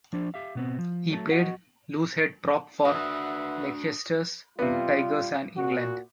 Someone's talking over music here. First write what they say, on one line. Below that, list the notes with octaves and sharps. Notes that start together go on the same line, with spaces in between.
He played loosehead prop for Leicester Tigers and England.
F3 D4 C5
G4 E5 F5
B2 B3 C4
F3
F#3 A3 C#5 A5
F#4 D#5 F#5
D4 F#4 B4 E5 F#5 D#6
C3 G3 B3 F4
A#2 F#4